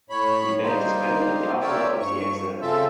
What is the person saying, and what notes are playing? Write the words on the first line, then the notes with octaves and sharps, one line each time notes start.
The band disbanded in the aftermath of the accident.
A2 C#5 B5
G3 A#3 D#4 C5
A#4 C#5 D5 E5 G5
G2 C#6
C#3 C4 F4 A4 E5